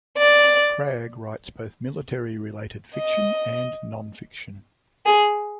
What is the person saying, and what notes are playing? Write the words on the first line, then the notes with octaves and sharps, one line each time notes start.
Cragg writes both military-related fiction and non-fiction.
D5
D#5
G#4